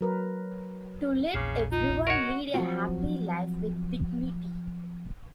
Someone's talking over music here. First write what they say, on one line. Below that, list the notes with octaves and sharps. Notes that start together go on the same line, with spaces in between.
To let everyone lead a happy life with dignity.
F#3 A#4 B4
E1 A#1 C#3 D6 F6 C7
D#4 F4
F#4 A#4 C#5 D#5 F#5
F3 F#3 A3 C4 F4 F#4